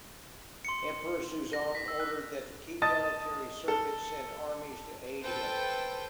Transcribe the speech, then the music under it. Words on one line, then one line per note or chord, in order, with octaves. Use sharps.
Emperor Suzong ordered that the key military circuits send armies to aid him.
C6 C#7
A#6
B6
E6
F#6
D#5 A5 D#6 A6
A4
A4 B4 C5 G5